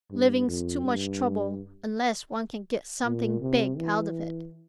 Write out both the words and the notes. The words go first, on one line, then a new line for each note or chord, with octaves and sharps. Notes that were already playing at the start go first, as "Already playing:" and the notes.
"Living's too much trouble unless one can get something big out of it."
G2
F2
G2
A#2
C3
E3